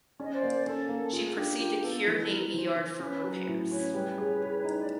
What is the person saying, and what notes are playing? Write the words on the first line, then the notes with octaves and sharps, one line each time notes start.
She proceeded to Kure Navy Yard for repairs.
C#4 D5
D#5
C5 D5
A#3
C#4 A4
A#3
F4 G#4
D4 G4
F4 G4
B3 A4
E3 B4
A4
E3 A#4
B4
E3 C5
E3
C#4 B4 C#5
F#3 B4
A2
C#4 B4 C#5
G3 B4 C#5
G#4
G#4
D#4
D5